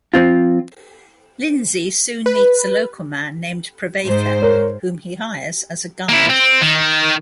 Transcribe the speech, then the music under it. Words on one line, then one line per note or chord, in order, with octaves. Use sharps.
Lindsay soon meets a local man named Prabaker whom he hires as a guide.
F3 C4 F4
B4
G#2 C5
A#4 C#5
A#3 E4
C4
D#3